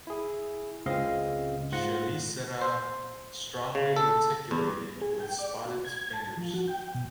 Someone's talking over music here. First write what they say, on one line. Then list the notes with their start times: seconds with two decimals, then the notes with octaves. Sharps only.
Chelicera strongly reticulated with spotted fingers.
0.07 E4 G#4
0.86 C#2 C#3 G#3 C4 D#5 F5
1.72 G#2 F4 F#5 A#6
2.61 C5
3.75 C#3
3.96 A4
4.51 E2
5.02 G#4
5.20 G5
5.39 D5
5.65 F#4
5.85 G#6
6.13 A5
6.37 F3
6.54 F#4
6.68 G5
6.95 B2